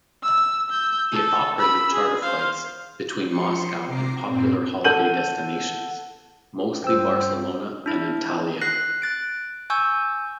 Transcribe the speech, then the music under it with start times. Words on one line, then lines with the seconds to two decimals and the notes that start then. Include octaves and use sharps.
It operated charter flights between Moscow and popular holiday destinations, mostly Barcelona and Antalya.
0.23 E6
0.71 E6 G6
1.12 A4
1.59 B5 E6
1.93 G#4
2.22 C5 F5
3.27 F3 C6 C#7
3.85 C3 A#5 D6 C7
4.25 G2 A#2 C4
4.84 A4 F#5 G6 D#7 F#7
6.84 G2 C5 G5 E6
7.86 D4 E4
8.61 F#6 A#6 C7
9.02 F#6 A6 D7
9.70 G#5 C#6 E6 G6